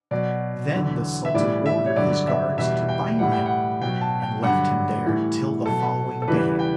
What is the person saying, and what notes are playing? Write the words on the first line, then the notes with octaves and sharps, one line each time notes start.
Then the sultan ordered his guards to bind him, and left him there till the following day.
B2 F#3 D5
E2 D3 F#3
E5
A2 E3 G3 D5
E5
C#5
G2 D3 F#3 D5
E5
E2 B2 G3 E5
G5
A2 E3 G3 F#5
G5
F#5
B2 F#3 G5
A5
G5
G2 D3 F#3 F#5
A2 E3 G3
B2 F#3 A4
A4
E2 C#3 E3 G3 B4
G5